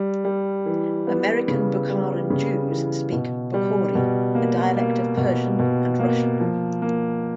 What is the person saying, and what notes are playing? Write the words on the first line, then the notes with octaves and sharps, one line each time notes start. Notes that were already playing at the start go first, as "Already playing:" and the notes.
American Bukharan Jews speak Bukhori, a dialect of Persian, and Russian.
Already playing: G3
G3
E3
B3
C#3
G3
C#3
E3
B2
G3
B2
A#3
A#3
B2
B2
A#3
F3
A#3